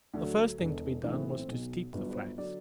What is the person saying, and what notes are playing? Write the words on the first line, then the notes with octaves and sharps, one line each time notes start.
The first thing to be done was to steep the flax.
D2 D3 F#3 D4
E1 E2 D3
B1 A2 E3 D4
C4
B3
C4
B1 B2 F#3
G1 G2 F#3 B4
B4
C5
D3 F#3 D5